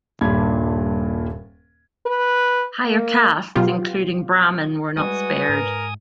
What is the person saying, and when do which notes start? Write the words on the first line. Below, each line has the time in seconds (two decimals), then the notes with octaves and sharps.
Higher castes including Brahmin were not spared.
0.21 D#1 G2 A#2 D4 B5 G#6
2.06 B4
2.87 A#3
3.55 B2 F#3 B3 F4 G4
4.97 G3 G#3 F#4 B4 G#5 D#6
5.49 G#2 A#4